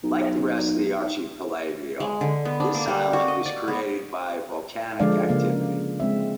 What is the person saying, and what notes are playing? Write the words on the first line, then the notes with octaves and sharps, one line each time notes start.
Like the rest of the archipelago, the island was created by volcanic activity.
B1 D#4
G#3
D3
B3
D4
A#3
G3
F#4
D#5
D5
B3
D3 F3 G#3 D4 D5 F5
C#3 A#3 F5
G#3 C4 E5